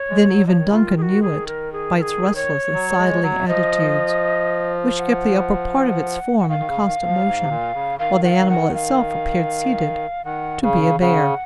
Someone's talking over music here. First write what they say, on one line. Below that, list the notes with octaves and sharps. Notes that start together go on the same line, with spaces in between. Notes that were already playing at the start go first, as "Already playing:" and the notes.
Then even Duncan knew it, by its restless and sidling attitudes, which kept the upper part of its form in constant motion, while the animal itself appeared seated, to be a bear.
Already playing: C#5
G#3
F#3
F3 C#5 D#5
D#3
C#3 F4
D#3
G#4
F#4
G#4
A#4
G#4
A#4
G#4
C#5
F#3
G#3
F#3
F3 D#5
F#5
F#5
D#3 F5
D#3
C#3
D#3
D#3
F3
G#2
C3
A#2
C#3
D#3 F5
F#5
F5
D#3
F#5
F5
D#3 F#5
C#3 F5
C#3 F#5